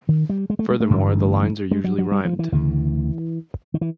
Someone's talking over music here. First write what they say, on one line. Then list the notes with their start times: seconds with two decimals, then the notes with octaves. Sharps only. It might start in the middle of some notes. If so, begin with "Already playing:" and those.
Furthermore, the lines are usually rhymed.
0.09 D#3
0.29 G3
0.50 G#3
0.59 A3
0.70 G#3
0.80 A3
0.90 A1 G2 D3
1.71 G#3
1.84 F#3
1.98 F#3
2.12 G3
2.25 F3
2.39 E3
2.52 D2 C#3 E3
3.74 D#3
3.81 E3